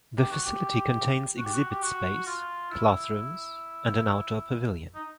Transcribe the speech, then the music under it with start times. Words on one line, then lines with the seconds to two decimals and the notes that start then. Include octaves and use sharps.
The facility contains exhibit space, classrooms, and an outdoor pavilion.
0.19 G4
0.31 F#4
0.45 G4
1.38 F#4
1.45 G4
1.53 F#4
1.70 G4
1.82 F#4
2.27 F4
2.71 E4
4.95 D#4